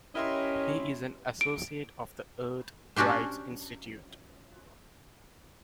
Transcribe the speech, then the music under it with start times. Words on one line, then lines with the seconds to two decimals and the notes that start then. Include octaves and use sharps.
He is an associate of the Earth Rights Institute.
0.15 C#4 E4 G4 A#4 D#5 E5 C6
1.41 D7
2.96 C#4 D4 F#4 G4 C5